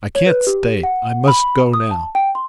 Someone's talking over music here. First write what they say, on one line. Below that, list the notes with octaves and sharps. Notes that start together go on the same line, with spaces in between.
"I can't stay, I must go now...."
C#5
B4
G4
F#5
B5
D#6
A5
G5
C6